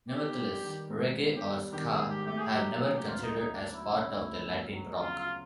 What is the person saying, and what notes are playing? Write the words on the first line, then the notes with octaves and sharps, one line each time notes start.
Nevertheless, Reggae or Ska have never considered as part of the Latin Rock.
B3 G4
G3
D#3
G#2
B3
G4
G3
D#3 G4
G#4
G#2
G4
A3 G4
G#4
G4
F#3
C#3 G#4
G4
D2 F4
D#4
A3 D#4
D4
F#3
E4
C#3
D2
B3
F#3
C#3 F4
F4